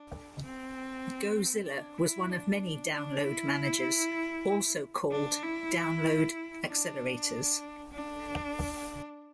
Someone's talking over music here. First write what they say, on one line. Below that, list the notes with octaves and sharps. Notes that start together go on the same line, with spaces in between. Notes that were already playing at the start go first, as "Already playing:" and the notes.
Go!Zilla was one of many download managers, also called download accelerators.
Already playing: D4
C4
D4
E4
D4
D4
E4
D4
E4
D4
D4